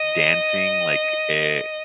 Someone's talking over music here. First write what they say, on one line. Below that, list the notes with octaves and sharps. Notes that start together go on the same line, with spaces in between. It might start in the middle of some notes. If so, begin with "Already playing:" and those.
dancing, like, e
Already playing: D#5